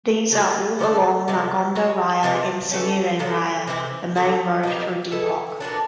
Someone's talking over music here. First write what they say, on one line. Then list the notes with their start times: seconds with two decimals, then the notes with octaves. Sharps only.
These are all along Margonda Raya and Cinere Raya, the main road through Depok.
0.31 F3 A3 D4 F#4
0.79 D3 F3 A3 D4
1.28 C3 F3 G#3
1.75 G#3 C#4 F#4
2.23 C3 E3 G#3
2.72 E3 A3 C#4
3.19 A2 F#3 B3 E4
3.67 C3 E3 G#3 C4
4.15 D3 F#3 A3 C4
4.63 B2 G3 C4 D#4
5.12 G#3 B3 E4 A4
5.60 A#2 F#3 B3 D4